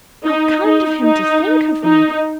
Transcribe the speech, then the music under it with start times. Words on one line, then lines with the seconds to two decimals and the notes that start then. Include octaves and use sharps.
'How kind of him to think of me!
0.24 D#4
0.64 D#4
1.04 D#4
1.84 D#4